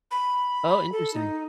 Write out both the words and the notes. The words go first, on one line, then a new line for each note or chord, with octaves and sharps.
Oh, interesting.
B5
A4
D#4